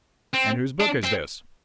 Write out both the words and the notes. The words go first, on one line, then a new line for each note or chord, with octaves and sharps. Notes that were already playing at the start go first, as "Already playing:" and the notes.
"And whose book is this?"
C4
D4
C4